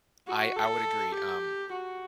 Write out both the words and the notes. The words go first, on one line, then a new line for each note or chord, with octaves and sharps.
I I would agree. Um,
F#4
A4
G4
F#4